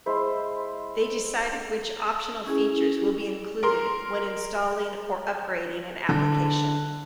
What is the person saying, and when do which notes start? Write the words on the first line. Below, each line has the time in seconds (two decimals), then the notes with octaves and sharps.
They decide which optional features will be included when installing or upgrading an application.
0.06 G#3 E4 C5 E5
2.46 C#4 E4 G#4 G#5
3.63 A#4 C6
6.09 D3